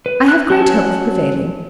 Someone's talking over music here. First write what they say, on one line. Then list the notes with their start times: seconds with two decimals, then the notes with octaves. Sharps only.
I have great hope of prevailing.
0.06 B4
0.28 F#6
0.50 F#3 C#4 A5